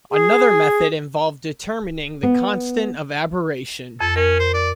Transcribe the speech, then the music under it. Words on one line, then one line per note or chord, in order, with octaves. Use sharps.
Another method involved determining the constant of aberration.
G#4
B3
F2 A4
C#4 A#4
C5
D5